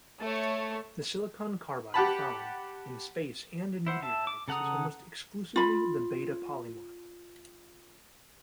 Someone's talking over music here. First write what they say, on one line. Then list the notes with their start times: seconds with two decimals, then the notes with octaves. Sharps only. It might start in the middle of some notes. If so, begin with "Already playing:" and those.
The silicon carbide found in space and in meteorites is almost exclusively the beta-polymorph.
0.21 A3 C#5
1.94 G4 F#5 A5 B5
3.87 E4 C5 F#5
4.02 E5 A5
4.27 D6
4.48 C#3 A4 F#5 A#5 D#6
5.56 F4 B5